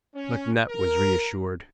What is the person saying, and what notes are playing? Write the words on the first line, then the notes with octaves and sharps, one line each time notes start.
McNutt was reassured.
C#4
A#4